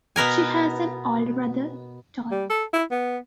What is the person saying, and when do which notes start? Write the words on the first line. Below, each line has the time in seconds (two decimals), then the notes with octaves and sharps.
She has an older brother, Todd.
0.16 B2 B3 A#4 G#5
2.31 G3
2.50 A4
2.73 E4
2.91 B3